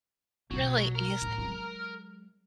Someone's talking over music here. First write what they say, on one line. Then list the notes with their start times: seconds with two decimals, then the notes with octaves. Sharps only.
Really easy
0.51 B1 F#3 A#3
0.95 A#4
1.22 A2
1.38 F#3 G#3